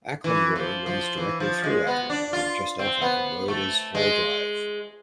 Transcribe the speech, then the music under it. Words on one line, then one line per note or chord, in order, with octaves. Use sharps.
Acklam Road runs directly through Acklam, and just off Acklam Road is Hall Drive.
E3
F3
F3
E3
F3
G#3
B3
D4
F4
C4
B3
A3
G#3